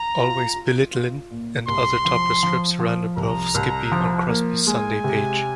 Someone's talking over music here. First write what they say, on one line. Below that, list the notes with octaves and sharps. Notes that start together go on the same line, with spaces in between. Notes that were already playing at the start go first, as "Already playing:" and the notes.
"Always Belittlin"' and other topper strips ran above "Skippy" on Crosby's Sunday page.
Already playing: A#5
F4
F4
F4
A#2
C2 C6
F3
F3
F3
C2 A#5
C2
F3
A#3
G#3 G#5
C3